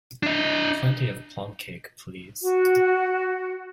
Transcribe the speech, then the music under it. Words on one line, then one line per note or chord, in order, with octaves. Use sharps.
Plenty of plum-cake, please.
D4 D#5
F#4